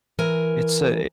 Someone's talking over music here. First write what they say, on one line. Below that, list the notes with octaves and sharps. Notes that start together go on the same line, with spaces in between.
it's a
E3 A#4 G#5